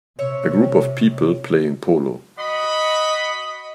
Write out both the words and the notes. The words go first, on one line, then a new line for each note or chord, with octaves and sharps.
A group of people playing polo.
C3 C#5 E5
F#4 D#5 F#5 B5